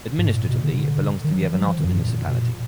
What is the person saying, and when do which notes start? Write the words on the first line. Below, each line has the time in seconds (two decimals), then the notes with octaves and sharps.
Administratively it belongs to the Avannaata municipality.
0.18 G#2
0.33 A#2
0.49 B2
0.63 D3
0.71 B2
0.78 D3
1.24 D#3
1.32 F#3
1.38 F3
1.54 F#3
1.68 F3
1.79 D#3
1.84 F2
1.89 F#2
1.98 A#2
2.29 B2
2.39 A#2